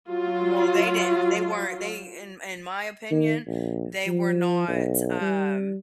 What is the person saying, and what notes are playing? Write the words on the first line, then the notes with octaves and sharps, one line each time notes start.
Well, they didn't they weren't they, in in my opinion, they were not, um,
F#3 F4
D#3
A#1
F3
B1
G3